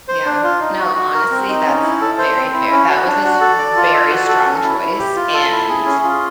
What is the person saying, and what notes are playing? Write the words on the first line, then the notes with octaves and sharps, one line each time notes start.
Yeah, no, honestly, that's very fair, that was a s very strong choice and
C5
D4
F4
D#4
F#4
F#4
A#4
C4
D#4
C#4
E4
A4
C5
C4
E4
C#4
F#4
D4
F#4
A4
D5
F4
A4
F#4
A4
C#4
E4
E4
G4
F4
A4
E4
G#4
C#4
F4